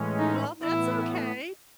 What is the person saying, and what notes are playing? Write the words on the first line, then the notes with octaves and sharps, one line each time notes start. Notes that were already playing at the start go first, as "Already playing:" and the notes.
Well, that's okay.
Already playing: A2 E3 G#3 C#4
D#4
A2 E3 B3 E4